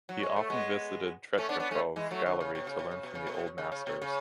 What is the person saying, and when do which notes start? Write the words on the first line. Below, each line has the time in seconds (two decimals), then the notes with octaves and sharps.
He often visited Tretyakov Gallery to learn from the Old Masters.
0.09 F#3
0.23 G#3
0.36 A3
0.50 G#3 B3
1.38 A3 C#4
1.49 B3 D4
1.60 B3 D4
1.71 A3 C#4
1.96 E3 G#3
2.11 F#3 A3
2.26 D3
2.40 C#3
2.55 B2
2.67 C#3
2.79 B2
2.91 C#3
3.03 B2
3.15 C#3
3.27 B2
3.58 C#3
3.72 C#3
3.87 B2
4.02 C#3